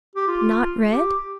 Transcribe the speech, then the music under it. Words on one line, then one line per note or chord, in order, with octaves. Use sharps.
Not red?
G4
F4
G4